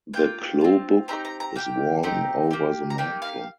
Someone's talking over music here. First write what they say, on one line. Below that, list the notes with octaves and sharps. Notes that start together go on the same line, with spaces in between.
The klobuk is worn over the mantle.
A#3 F4 G5
C4 F4
C4 D#4 G4 A#5
A#5
A#5
A#3 G4 G5
C4 D#4 G4 A#5
A#3 G4
A#5
A#3 D#4 G4 G5
F5